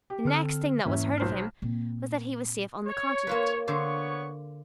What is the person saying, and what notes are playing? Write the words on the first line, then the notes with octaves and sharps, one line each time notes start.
The next thing that was heard of him was that he was safe on the Continent.
G4
D3 C4 A4 F6
E2 G#2 A#3 C#4 E5
B1 C5 F6
A#2 C4
C#5
A#3 F4 B4
D3 B3 C5 C#5 C#6